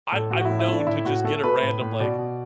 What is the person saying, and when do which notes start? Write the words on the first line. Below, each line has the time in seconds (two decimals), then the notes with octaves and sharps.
I'm I'm known to just get a random like,
0.12 A2 A4
0.30 A2 F#4
0.41 F#4
0.45 A2 E4
0.59 E4
0.68 A3 D4
0.80 D4
0.86 A2 E4
1.05 A2 F#4
1.24 A3 A4
1.44 A3 B4
1.62 A2
1.81 A2
2.00 B2 D5
2.18 B2